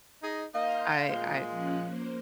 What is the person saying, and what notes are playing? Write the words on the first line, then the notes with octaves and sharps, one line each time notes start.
I I
D#4 G#4 D#5
A#3 D#4 D#5 F5 C6 F6 G6
A#2 G#3
F3 C#4 F#6
A#3 C5